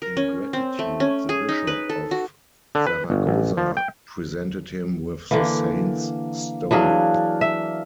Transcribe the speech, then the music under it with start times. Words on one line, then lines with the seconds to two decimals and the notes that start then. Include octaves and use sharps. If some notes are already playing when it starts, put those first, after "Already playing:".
In gratitude the bishop of Zaragoza presented him with the saint's stole.
0.02 A#4
0.17 C#4
0.53 C4
0.79 A3
1.00 C#4
1.29 G#4
1.49 D#4
1.67 B4
1.89 A4
2.11 F#4
2.75 D3
2.87 B4
3.10 G1
3.27 A1
3.57 F3
3.77 G5
5.31 D3 E3 A#3
6.71 E3 F#3 D4 G#4 F5
7.41 E5